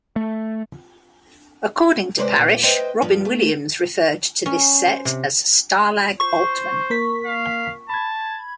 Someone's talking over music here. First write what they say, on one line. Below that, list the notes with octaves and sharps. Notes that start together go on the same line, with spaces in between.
According to Parish, Robin Williams referred to this set as "Stalag Altman".
A3
D2 C3 G#3 B4 C5 D5
A#2
B4 C5 D#5 E5 G5
G2 F3 B3
A3
C#4
C5
C3
C5 C#6
A#3 A#4 B6
F5
A5 B5 G#6